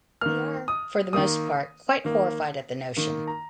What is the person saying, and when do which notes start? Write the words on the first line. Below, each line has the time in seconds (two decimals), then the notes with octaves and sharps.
They are, for the most part, quite horrified at the notion.
0.21 D#3 A#3 F6
0.68 D#6
1.13 D#3 A#3 D#6
2.05 D#3 A#3
2.97 D#3 A#3
3.27 A#5